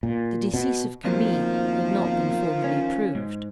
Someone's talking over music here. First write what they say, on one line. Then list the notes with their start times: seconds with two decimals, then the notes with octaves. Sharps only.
The decease of Camille had not been formally proved.
0.03 A#2
0.54 B2
1.04 F2 B2 D#3 F3 A#3
2.64 C#4
3.15 G#2